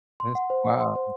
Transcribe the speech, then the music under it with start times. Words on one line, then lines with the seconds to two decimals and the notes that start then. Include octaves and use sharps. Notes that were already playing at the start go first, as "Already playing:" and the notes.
That's wild.
0.20 C6
0.35 F#5
0.50 C5
0.65 F#5
0.81 C6
0.95 C5